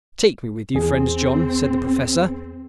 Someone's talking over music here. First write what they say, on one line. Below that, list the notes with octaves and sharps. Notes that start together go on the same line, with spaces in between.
"Take me with you, friend John," said the Professor.
E2 C4 G#4